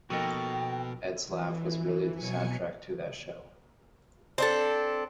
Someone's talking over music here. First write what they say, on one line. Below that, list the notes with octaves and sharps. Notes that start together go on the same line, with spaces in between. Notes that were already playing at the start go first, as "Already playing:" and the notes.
Ed's laugh was really the soundtrack to that show.
B2 F3 A#3 D#4 F#4 A4 A#4 G5
E3
B2 F#3 G#5 C#7
C4 D4 A4